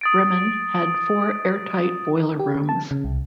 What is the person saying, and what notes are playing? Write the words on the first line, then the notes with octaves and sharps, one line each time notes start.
"Bremen" had four airtight boiler rooms.
D#6 A6 D7
G4
D3
A5
C#3
C2